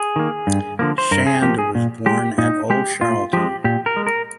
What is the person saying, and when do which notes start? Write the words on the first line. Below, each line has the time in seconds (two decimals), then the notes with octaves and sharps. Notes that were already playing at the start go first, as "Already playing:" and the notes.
Shand was born at Old Charlton.
Already playing: G#4
0.16 D#3 A#3
0.47 G2
0.79 D3 F3 A#3
0.98 C5
1.11 G2 A#4
1.27 G#4
1.42 F3 A#3 G4
1.58 G#4
1.75 A#2
2.06 G#3 G4
2.38 A#2 D#4
2.70 G#3 G4
3.01 A#2 F4
3.33 F3 G#3 G4
3.64 A#2 G4
3.86 A#4
3.96 G#3
4.07 A#4